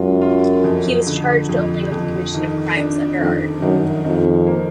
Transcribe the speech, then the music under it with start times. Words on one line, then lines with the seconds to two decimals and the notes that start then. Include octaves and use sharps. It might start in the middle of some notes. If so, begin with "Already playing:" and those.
He was charged only with the commission of crimes under Art.
Already playing: F#2 G#3 F4
0.21 F4
0.64 F2
1.06 D3
1.49 F2
1.92 F2
2.34 D#3
2.77 D4
3.19 F2 D#3
3.61 F#2 D#3
4.04 F2 D#3
4.47 A#3